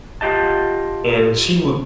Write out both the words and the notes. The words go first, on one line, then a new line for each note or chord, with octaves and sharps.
and she would
F4 G4 D#5 A5